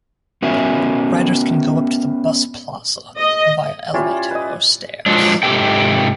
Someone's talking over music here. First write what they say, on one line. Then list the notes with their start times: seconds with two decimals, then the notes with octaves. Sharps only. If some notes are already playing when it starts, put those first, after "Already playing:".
Riders can go up to the bus plaza via elevator or stairs.
0.42 B3 C#4 F#4 A#4 E5 G#5
3.20 D#5
3.94 G3 C#4 E4 F4
4.31 B4 D#5
5.06 F3 F#3 G#3 D4
5.43 G#2 C3 G4 A4 G5